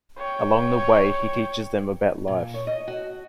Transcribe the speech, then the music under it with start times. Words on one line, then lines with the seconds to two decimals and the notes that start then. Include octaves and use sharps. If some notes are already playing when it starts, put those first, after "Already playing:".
Along the way, he teaches them about life.
0.18 C#5 G5
2.28 A#2
2.54 C#5
2.67 D#5
2.88 F#4